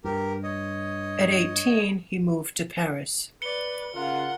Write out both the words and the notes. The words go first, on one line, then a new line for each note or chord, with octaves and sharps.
At eighteen he moved to Paris.
G2 G4 A#4
C#5 D#5
B4 D5 C#7 G7
C#3 F4 A#4 F#5 F#6